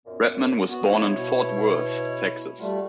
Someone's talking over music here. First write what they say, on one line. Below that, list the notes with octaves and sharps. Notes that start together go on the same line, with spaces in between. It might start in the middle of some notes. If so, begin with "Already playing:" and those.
Redman was born in Fort Worth, Texas.
F#2 A#2 B3
B3 F#4
C3 F3 B3 E4 C#5
B2
G3 A3 F4 F#4